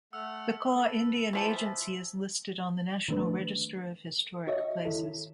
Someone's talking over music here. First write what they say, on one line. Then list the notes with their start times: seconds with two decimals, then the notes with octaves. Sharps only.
The Kaw Indian Agency is listed on the National Register of Historic Places.
0.13 A3 F#5 E6 F6
0.77 A4 B4
1.33 E3 F3 F4 E5 A5
3.08 D#3 F3 A3 D4 B4
4.47 F#4 C#5 D#5 E5
4.85 D#3 E4 A4